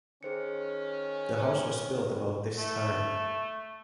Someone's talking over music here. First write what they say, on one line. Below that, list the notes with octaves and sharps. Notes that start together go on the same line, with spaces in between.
The house was built about this time.
D#3 C#4 G#4 C5 C#7
A3